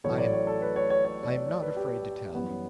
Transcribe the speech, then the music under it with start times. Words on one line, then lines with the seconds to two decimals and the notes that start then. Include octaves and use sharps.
I am--I am not afraid to tell.
0.04 A1 A2 F#3 A3 C#5
0.18 D5
0.33 C#5
0.47 A4
0.62 B4
0.76 C#5
0.90 C#5
1.05 C#5
1.23 D5
1.34 C#5
1.48 D5
1.62 B4
1.76 G4
2.34 F#2 E3 G3 B3
2.48 C#4